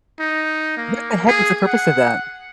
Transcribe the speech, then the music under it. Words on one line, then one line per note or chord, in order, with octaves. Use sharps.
What the heck was the purpose of that?
D#4
A#3
G#4
F#5